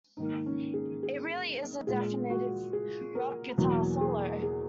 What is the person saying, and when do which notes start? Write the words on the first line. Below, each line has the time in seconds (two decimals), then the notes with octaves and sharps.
It really is the definitive rock guitar solo.
0.17 G#2 D#3 A#3 D#4
0.46 C#4
0.74 G#4
1.03 G#4
1.87 A#2 G#3 G#4
2.30 F#4
2.73 G#4
3.15 A#4
3.57 E2 B2 F#3 A#3
4.01 G#4
4.42 G#4